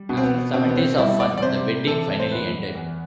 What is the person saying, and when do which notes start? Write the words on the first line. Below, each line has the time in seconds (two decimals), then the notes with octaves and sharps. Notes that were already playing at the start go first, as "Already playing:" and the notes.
After seven days of fun, the wedding finally ended.
Already playing: G3
0.09 B2
0.17 C4
0.24 B3
0.53 B2 C4
0.69 B3
0.75 C4
0.98 G3 E4
1.20 D5
1.38 D5
1.42 C3 C5
1.87 E3 A4
2.20 C5
2.31 E2 B4
2.75 E2